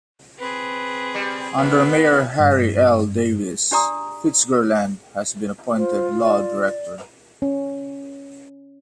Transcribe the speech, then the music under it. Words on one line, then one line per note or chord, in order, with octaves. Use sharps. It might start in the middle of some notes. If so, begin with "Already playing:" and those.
Under Mayor Harry L. Davis, FitzGerald was appointed law director.
C4 G#4 B4
G3
D#2 B3 F#6
G2
D4 G4 D5 A#5 D#6
F4 C5
D5
C#4